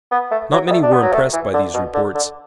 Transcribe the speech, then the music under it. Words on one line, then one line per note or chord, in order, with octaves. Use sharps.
Not many were impressed by these reports.
B3
A3
F#3
B3
A3
D4
B3
F#3
A3
E3
D3
B2
D3
D3